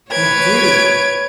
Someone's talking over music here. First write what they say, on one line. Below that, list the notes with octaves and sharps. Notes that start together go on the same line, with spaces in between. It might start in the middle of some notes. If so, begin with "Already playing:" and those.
You do.
B4 C#5 G#6 D7